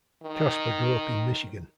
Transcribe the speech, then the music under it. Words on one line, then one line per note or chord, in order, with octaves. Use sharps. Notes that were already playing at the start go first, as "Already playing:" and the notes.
Kasper grew up in Michigan.
D#3